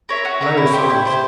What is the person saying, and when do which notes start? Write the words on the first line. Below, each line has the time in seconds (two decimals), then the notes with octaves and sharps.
Low songs.
0.09 A#4 C#5 E5
0.25 F#4
0.41 A#4 C#5 E5
0.57 E4
0.73 G4 C5
0.90 E4
1.05 G4 C5